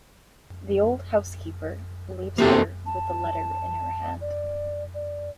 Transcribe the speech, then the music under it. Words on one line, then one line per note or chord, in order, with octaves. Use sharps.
The old housekeeper leaves her with the letter in her hand.
E2 C3 A#3 F#4 A4
A5
D5
D5